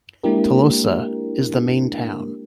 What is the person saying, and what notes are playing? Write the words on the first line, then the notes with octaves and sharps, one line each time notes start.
Tolosa is the main town.
G#3 A#3 D4 E4 G4 A#4